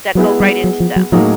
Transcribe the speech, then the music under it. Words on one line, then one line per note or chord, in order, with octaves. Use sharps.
that go right into them,
F#3 G#3 B3 E4 G#4
G3
F#3
F3
F#3
A2 F3 F#3 A#3 D#4 G#4